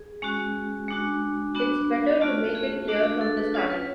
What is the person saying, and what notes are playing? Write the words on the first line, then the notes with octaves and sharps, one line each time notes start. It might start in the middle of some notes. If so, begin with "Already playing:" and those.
It's better to make it clear from the start.
Already playing: G#4
G#3 C#4 F#4
G#3 D4 F#4
B3 D4 F#4
A3 C#4 F4 F#4
F#4
G#4
A3 D4 F#4
G#4
A4
B4
F#3 C#4 F4 C#5
B4